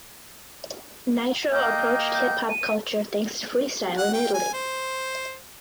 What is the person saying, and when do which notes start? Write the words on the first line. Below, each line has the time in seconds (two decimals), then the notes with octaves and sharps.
Nitro approached hip hop culture thanks to freestyle in Italy.
1.52 A#3 D#5 G5 G6
2.14 G6
2.49 D#7
3.98 F#5
4.13 G5
4.34 G#5
4.54 C5